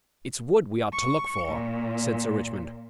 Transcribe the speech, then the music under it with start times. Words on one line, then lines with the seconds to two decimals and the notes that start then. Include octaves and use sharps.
"It's wood we ought to look for," said Sir Richmond.
0.92 C#6
1.48 A#2